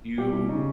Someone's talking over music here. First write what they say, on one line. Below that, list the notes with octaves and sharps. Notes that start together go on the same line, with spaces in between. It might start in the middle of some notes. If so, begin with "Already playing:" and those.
Do you
G3 G4
E4
C#3 D#4